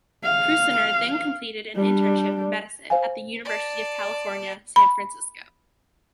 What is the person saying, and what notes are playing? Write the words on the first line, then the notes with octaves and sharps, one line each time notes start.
Prusiner then completed an internship in medicine at the University of California, San Francisco.
F5
G3 D4
C5 F5 G#5
D5 A5
B5